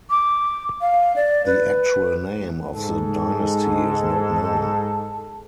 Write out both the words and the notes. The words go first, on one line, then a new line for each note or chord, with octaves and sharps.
The actual name of the dynasty is not known.
D6
F5
D5
B4
G#2 A4